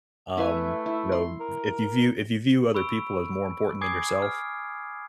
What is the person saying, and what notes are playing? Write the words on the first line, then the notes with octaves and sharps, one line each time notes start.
um, you know, if you view if you view other people as more important than yourself,
A3 E4 B4 G#5
E4
C6
A#4
B5 C#6 E6 D7
G#5 D6 D#6 G#6 C7
F6